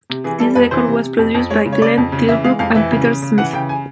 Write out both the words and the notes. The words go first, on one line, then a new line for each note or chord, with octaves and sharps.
This record was produced by Glenn Tilbrook and Peter Smith.
C3
E3 G#4
G3 A4
F2 B4
E3 C5
C3
C3
F2
F2
G#3 C#5
C#3
C#5
C#3 D5
F2
C#3
E3 E5
G#3 F5
F2 F5
E3 E5
C#3
C#3
C#3
E3 F#5
C#3 G5
G#5